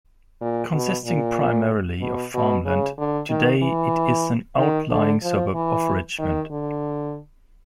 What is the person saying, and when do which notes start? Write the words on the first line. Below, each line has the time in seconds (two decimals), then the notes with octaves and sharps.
Consisting primarily of farmland, today it is an outlying suburb of Richmond.
0.41 A#2
0.73 B2
1.05 A#2
2.01 B2
2.34 B2
2.66 C#3
2.98 D3
3.30 D#3
3.62 E3
4.58 D#3
4.90 D3
5.22 F3
5.54 E3
6.19 D#3
6.51 D3